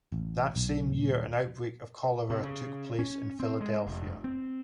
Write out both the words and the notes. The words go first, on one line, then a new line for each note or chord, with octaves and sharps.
That same year an outbreak of cholera took place in Philadelphia.
A1
B1
D#1
C3
C#3
C#4
C4
G#3
F1
C4